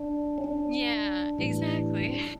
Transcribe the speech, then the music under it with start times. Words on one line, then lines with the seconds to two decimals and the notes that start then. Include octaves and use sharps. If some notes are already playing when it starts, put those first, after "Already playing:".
Yeah, exactly.
Already playing: D4
0.38 C#4
0.44 D4
1.38 A2 E3 G3